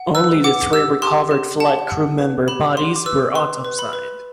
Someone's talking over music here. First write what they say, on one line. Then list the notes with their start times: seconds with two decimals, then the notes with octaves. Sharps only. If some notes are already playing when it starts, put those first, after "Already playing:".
Only the three recovered flight crewmember bodies were autopsied.
Already playing: F#5
0.15 B4 E6
0.44 F#5 D6
0.73 G4 E6
1.02 G4 C6
1.31 G4
1.60 F#5 A5
1.90 F#5
2.18 B4
2.48 G4 B5
2.77 G4 C6
2.96 D6
3.06 B4 E6
3.35 B4 C6
3.64 B4
3.79 B5
3.93 B4